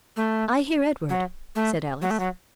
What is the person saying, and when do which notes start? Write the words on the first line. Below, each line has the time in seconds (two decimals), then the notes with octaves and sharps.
"I hear Edward," said Alice.
0.16 A3
1.09 F#3
1.55 A3
2.02 F#3
2.10 A3
2.19 F#3